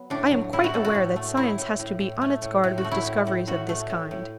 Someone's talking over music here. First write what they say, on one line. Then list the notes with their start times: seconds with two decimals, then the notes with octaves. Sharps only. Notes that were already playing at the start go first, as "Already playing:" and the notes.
I am quite aware that science has to be on its guard with discoveries of this kind.
Already playing: F#3 B3
0.10 A2 D4
0.31 F#3
0.53 A2 E4
0.64 F#4
0.74 A2 A4
0.85 F#4
0.95 A2
1.16 A3
1.37 A2 E4
1.58 A2
1.79 A2
2.00 A2
2.22 A3
2.42 A2
2.64 A2
2.78 F#4
2.85 A3
2.91 E4
3.06 A2
3.27 A2
3.47 A2 F#4
3.69 A3
3.90 A2
4.11 A2